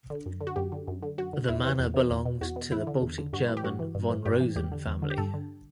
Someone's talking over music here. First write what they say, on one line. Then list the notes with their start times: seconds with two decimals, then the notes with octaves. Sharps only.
The manor belonged to the Baltic German von Rosen family.
0.10 D3
0.26 F#2
0.41 D3
0.47 F#4
0.56 F#2 G4
0.72 D3
0.88 F#2
1.03 D3
1.18 F#2 F#4
1.33 D3
1.49 E2 E4
1.64 C3 E3
1.79 E2
1.94 C3 E3
2.10 E2
2.25 B2
2.41 E2 F#4
2.56 B2
2.71 E2 E4
2.87 D3
3.02 E2
3.18 D3
3.33 G2 F#4
3.48 E3
3.57 G4
3.64 G2 F#4
3.79 E3
3.95 G2
4.10 E3
4.26 G2 G4
4.40 E3
4.56 E2 G4
4.72 D3
4.87 E2
5.02 D3
5.10 G4
5.18 G2 A4
5.34 D3